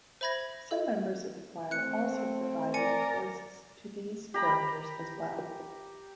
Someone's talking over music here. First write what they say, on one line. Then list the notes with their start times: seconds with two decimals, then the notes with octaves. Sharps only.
Some members of the choir also provided voices to these characters as well.
0.21 C5 E5 B5 G#6 A#6
0.71 A4 D#5
1.71 A3 C4 F#6 C#7
2.74 A#4 D5 G#5 C#7
4.34 G4 A#5 B5